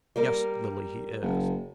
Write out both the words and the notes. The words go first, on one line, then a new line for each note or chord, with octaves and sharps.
Yes, Lily, he is.
G3 A#3 A#4
F#1